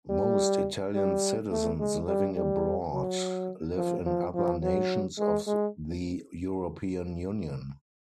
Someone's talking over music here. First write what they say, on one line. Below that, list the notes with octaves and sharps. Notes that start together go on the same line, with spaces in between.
Most Italian citizens living abroad live in other nations of the European Union.
G3
G3
A3
G#3
G3
G3
F#3
F3
F3
F3
F#3
G#3
G#3